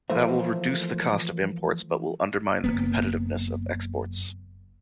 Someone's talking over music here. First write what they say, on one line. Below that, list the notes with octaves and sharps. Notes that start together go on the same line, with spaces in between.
That will reduce the cost of imports but will undermine the competitiveness of exports.
E3 F3 A3 A#3 C5 E5
F#1 A#3 B3